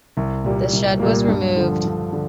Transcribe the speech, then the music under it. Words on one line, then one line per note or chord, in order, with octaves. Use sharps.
The shed was removed.
C2
A#2 G3 A#3
C2
A#2 G3 A#3
G2
D3 F3
G2
D3